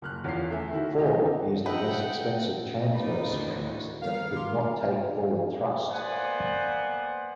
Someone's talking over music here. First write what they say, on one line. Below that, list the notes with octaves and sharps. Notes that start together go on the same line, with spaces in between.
Ford used the less expensive transverse springs that could not take forward thrust.
F#1 F6 F#6
E2 C#4 F4 C7
A3 E5 G#5
D#3 E4 F#4
A3 D#4 F#4 G4 D5 D#5
A4 B4 D#5 E5 F#5 G5
D#4 D5 B5
D2 A2 F#4
D#3 G3 B3 A#4 F5
C6 D6 F6
A#3 B3 C5 D5 F#5 G#5